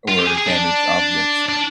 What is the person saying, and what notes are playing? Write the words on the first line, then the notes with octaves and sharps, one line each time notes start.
or damage objects.
F4
G4
G#4
G#4
D4
D4